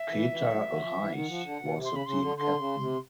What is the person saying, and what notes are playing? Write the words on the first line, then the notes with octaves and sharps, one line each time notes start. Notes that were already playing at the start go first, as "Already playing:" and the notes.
Peter Reich was the team captain.
Already playing: E5
E3
E3
F#3
F#3
F3
E3
D#3 F#5
F3
D3
B2
C3
C6
C#3
B5
C#3 C6
D3
D3 C6
C#3
C3